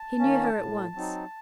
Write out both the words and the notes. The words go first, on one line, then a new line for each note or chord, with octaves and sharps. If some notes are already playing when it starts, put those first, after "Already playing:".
He knew her at once.
Already playing: A5
D#3 A#3 C#4
A2
F#3 C4 D#4